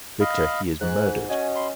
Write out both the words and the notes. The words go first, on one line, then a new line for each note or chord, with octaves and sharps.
Victor, he is murdered!
D#5 F5 B5
G#2 F#6
C#4 F#4 D#5 G#5
B5 C6